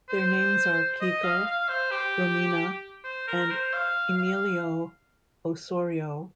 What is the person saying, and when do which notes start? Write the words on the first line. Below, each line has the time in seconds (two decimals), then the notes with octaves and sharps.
Their names are Kiko, Romina, and Emilio Osorio.
0.09 C5
1.01 D#5
1.24 F5
1.46 F5
1.69 C5
1.91 G4
3.04 C5
3.27 A#4
3.51 C5
3.73 F5
4.18 F5